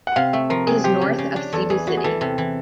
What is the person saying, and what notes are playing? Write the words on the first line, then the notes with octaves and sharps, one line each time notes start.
It is north of Cebu City.
F#5
C3 F5
A3 E5
F3 A#4
C3 G#4
F3 G4
C#3
C#3
D4
E2 A4
E3 G#4
E3 F#4
G#4
E3 A4
C3 A4
E3